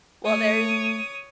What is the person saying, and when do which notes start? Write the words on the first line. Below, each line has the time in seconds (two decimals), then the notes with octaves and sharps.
Well, there's
0.25 A3 C#5 D#6